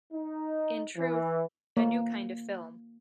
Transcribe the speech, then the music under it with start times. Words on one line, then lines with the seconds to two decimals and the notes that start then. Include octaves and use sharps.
In truth, a new kind of film.
0.13 D#4
0.97 E3
1.77 A#3